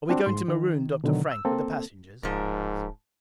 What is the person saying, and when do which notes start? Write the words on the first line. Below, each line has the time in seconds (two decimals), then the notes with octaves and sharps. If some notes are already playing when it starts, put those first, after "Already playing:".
"Are we going to maroon Dr. Frank with the passengers?" I asked.
0.09 C4 D4 F#4
0.26 G#2 C6
0.48 D#3
1.04 B2 D3 D#3 F#3
1.31 E6
1.45 A#3 C4 A4
2.23 D1 G#2 F3 A#4